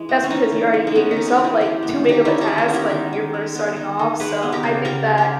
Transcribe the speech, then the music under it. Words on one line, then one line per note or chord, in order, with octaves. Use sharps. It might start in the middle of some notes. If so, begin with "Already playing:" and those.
that's because you already gave yourself, like, too big of a task, like, when you're first starting off. So I think that,
Already playing: E3 G#3
B3
C#4
E3 D#4
E3
G#3
D#4
B3 C#4
D#4
E3
D#4 G4
E3
E4 G#4
G#3 G4 A#4
B3
D#3 D#4 G4
D#3 C#4 E4
D#4 G4
G#3
C#4 E4
B3
G4 A#4
D#3
D#3
G#3
B3
D#3
D#3
G#3 G#4 B4
B3
G4 A#4
C#3
C#3 G4 A#4
G#3
G4 A#4